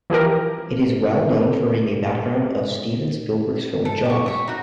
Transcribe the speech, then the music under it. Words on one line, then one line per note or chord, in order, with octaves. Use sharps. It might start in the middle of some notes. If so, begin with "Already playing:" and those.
It is well known for being the background of Steven Spielberg's film "Jaws".
E3 F3 G4 A#4
A4
G4 C#6
E5 C#6
D#4 F#4